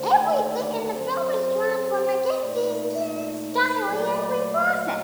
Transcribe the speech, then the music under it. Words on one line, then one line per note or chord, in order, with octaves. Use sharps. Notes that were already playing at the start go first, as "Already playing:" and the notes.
Everything in the film is drawn from Mackenzie King’s diary and reprocessed.
Already playing: D#2 D3 A3 C5
D5
F#2 F#3 C4 C5
A#2 A3 D#4 D5
D5
C5
A#2 F#3 A3 D5
D#5